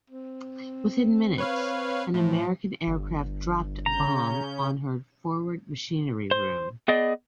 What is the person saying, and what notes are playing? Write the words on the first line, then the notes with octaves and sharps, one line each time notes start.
Within minutes, an American aircraft dropped a bomb on her forward machinery room.
C4
B4 C#5 F5
A2 F3
G1
C#3 C#4 A#5 G6
C5
B3 G#4 D5 D#5